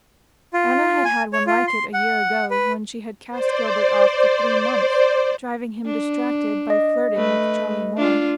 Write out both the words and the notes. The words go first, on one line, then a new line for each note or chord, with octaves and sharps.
Anna had had one like it a year ago, when she had cast Gilbert off for three months, driving him distracted by flirting with Charlie Moore.
F4
G#5
C#5
F4
C6
F#5
B4
C5 D5
D4
D#5
A3 B4
D4 F4